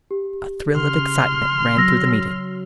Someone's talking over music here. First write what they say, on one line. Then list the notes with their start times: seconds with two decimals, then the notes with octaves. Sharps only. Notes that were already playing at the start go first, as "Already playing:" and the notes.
A thrill of excitement ran through the meeting.
0.11 G4
0.76 C#3 C6 F6
1.77 F#3 E6 A#6